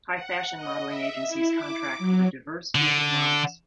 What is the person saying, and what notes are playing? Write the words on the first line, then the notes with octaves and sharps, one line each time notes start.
High fashion modeling agencies contract with a diverse group of models.
F#5
D#5
E5
E4
D6
F#3
D3